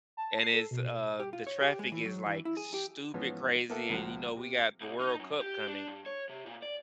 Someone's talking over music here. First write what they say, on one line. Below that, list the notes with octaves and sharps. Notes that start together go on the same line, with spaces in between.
and it's, uh the traffic is, like, stupid crazy, and, you know, we got the World Cup coming
A5
C7
A4
B2
G4
F4
C#5
G4
G#3
E3
F#3
E3
E4
G#4
G4
G#2 E3 F3 B3 C#4
A#3 B3 A4 E5 F#5
C#2 A#2 F3 F#4
C3
C2
D#4
F#2
G4
D4
G2
C#5
C3
A#2
D5